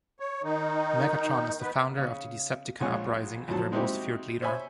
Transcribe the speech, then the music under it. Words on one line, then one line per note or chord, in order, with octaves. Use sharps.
Megatron is the founder of the Decepticon uprising and their most feared leader.
C#5
D#3 D#4
D#3 B3 B4
C#3
A#1 G#3 F4 C#5 F#5 G#5
F2 A#2 F#3 A5
G#3 C4 D#4 E4 F#4 G4
C5 C#5 E5 G#5 B5